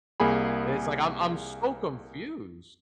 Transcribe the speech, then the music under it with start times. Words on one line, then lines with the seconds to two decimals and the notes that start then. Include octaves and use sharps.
It's like I'm I'm so confused.
0.20 C2 A#3 G#4 B5